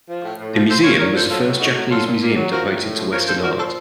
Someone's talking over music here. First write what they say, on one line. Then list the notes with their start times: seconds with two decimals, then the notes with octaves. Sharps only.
The museum was the first Japanese museum devoted to Western art.
0.08 F3
0.23 A2
0.38 A2
0.54 F3
0.68 F3 A4 C5
0.84 A#2 A#4 C#5
0.99 A#2 A#4 C#5
1.14 F3 A4 C5
1.29 F#3 F4 A4
1.45 A2
1.60 A2 D#4 F#4
1.75 F#3
1.90 F#3 F4 A4
2.07 A#2
2.22 A#2
2.36 F#3
2.51 F3 F#4 A#4
2.66 A2
2.82 A2
2.97 F3
3.12 F3 A#4 C#5
3.27 A#2 A4 C5
3.43 A#2 F#4 A#4
3.58 F3 A4 C5